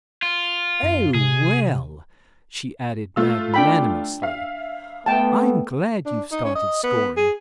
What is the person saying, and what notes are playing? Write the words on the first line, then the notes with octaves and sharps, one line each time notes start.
Oh, well," she added magnanimously, "I'm glad you've started scoring.
F4
F#2
C3 G#4
A3 F4 E6
D4 G5 B5
E5 F5
A3 B3 G5 A5
D4
D#4
C#4
D#5
B3
G#4